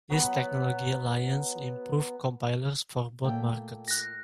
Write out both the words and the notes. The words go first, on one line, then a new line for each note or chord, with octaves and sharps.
This technology alliance improved compilers for both markets.
F#3 B3 B5
A#2 A3 G5
F#6 A#6